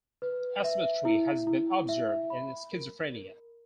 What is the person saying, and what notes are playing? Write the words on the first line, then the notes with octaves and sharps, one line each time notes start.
Asymmetry has been observed in schizophrenia.
B4
E5
E4
E4
E5
B5
A#4
A#4